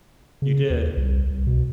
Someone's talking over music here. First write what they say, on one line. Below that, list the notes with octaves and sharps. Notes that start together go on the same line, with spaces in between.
You did.
C#3
D#2
C2
C2
B2